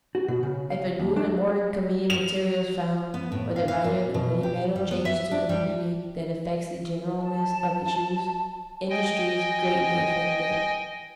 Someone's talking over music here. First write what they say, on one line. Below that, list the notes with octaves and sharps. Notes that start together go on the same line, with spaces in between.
If a new and more convenient material is found, or the value of the money metal changes to a degree that affects the generalness of its use, industry is greatly affected.
F#4
B2
C#3
F5
D#2
D4
F7
B3
A2
F5
F5
A#2
B2
G4
G3
B3
E5
D4
G3
A5
D#5 G5 G#5